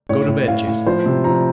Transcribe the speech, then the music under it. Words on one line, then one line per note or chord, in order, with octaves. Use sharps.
"Go to bed, Jason."
A2 C#5
A2
A2 F5
A2
F3 C5
C3
F3 A#5